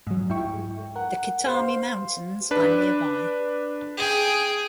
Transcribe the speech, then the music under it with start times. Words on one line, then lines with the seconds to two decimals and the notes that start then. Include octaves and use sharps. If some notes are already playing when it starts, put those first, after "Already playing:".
The Kitami Mountains are nearby.
0.07 G#2 F#3
0.30 G#2 E4 G5 C#6
0.96 A#4 F#5
1.46 C5 F5 C6
2.51 D4 B4
3.97 G#4 G5